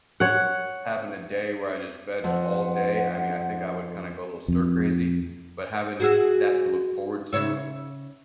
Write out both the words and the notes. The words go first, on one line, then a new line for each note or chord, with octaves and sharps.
having a day where I just vegged all day, I mean, I think I would kinda go a little stir crazy, but having that to look forward to,
C#5 F#5
F2 F#5
F2
F#4 G#4 E5
C#3 C#5 E5